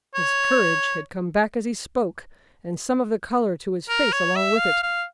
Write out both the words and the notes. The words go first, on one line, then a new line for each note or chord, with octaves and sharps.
His courage had come back as he spoke, and some of the colour to his face along with it.
C#5
A#4
C#5
E5
F5
F5